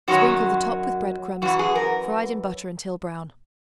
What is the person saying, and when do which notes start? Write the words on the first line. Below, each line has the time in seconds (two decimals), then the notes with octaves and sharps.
Sprinkle the top with bread-crumbs fried in butter until brown.
0.08 F#2 D#3 F#3 F#4
1.42 F#2 E3 F#4
1.59 G#4
1.75 A#4